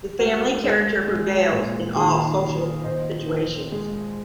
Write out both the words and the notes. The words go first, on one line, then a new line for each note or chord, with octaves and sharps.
The family character prevails in all social situations.
G#3 F#4 A#4
G#3
G#3
A#2
D#3 F4 G#4
D#3
A#2 C5 D#5
F3
G#3